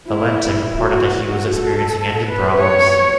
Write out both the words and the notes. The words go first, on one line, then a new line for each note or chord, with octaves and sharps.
Valentich reported that he was experiencing engine problems.
E4
F#4
A4
B4
C#5